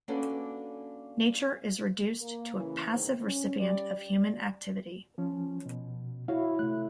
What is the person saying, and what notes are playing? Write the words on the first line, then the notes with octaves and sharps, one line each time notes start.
Nature is reduced to a passive recipient of human activity.
A#3 C#4 D4 F#4 A4 B4
A#3
C#3 E3
G#2 D#3 C4
C#4
G3 D5
F3 C#4
B2
E4 F#4 C#5 F5
C3 A3 F#6